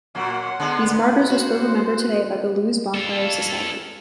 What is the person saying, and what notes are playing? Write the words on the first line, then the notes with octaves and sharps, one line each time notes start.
These martyrs are still remembered today by the Lewes Bonfire Society.
A#2 F#3 A#3 F#5 C6
D3 G#3 B3
F#4 C5
F4 A4